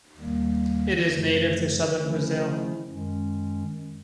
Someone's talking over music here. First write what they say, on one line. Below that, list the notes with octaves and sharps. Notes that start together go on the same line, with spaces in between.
It is native to southern Brazil.
D#2 D#3 G3 A#3
F#2 C#3 F3 A3
C#3 F3 A3 C#4 E4
F#2 D#3 G#3 C#4